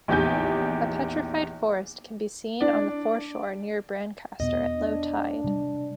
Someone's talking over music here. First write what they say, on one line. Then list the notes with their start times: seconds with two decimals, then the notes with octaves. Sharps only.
A petrified forest can be seen on the foreshore near Brancaster at low tide.
0.08 A#1 E2 D#4 G4 G#5 G6
2.61 D4 D5
4.40 E2 B2 B3 D#5
4.77 D4
5.44 C3 G3 A3